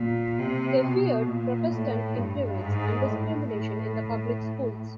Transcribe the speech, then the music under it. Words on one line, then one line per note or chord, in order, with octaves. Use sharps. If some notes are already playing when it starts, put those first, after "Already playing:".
They feared Protestant influence and discrimination in the public schools.
Already playing: A#2
C3
B2
A#2
A2
G2
G#2
A2
A2